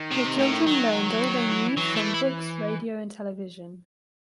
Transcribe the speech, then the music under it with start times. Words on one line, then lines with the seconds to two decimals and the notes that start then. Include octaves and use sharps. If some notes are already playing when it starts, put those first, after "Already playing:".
The children learned all they knew from books, radio, and television.
Already playing: D#3
0.11 C3
0.39 A2
0.67 F#3
1.11 E3
1.22 D#3
1.50 E3
1.77 E3 F#3
1.95 A3
2.14 E4